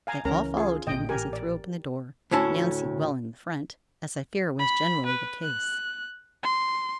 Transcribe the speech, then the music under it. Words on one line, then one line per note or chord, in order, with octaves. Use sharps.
They all followed him as he threw open the door, Nancy well in the front, as I fear was generally the case.
F5 G#5 A#5
C#2 E3 C#4 A#4 A#5
F4 G#4
A1 A#2 D#5 G5
G4 A#4 G#5
D5
D2 A2 C#4 E4 A5
B5
B4
F#6
C6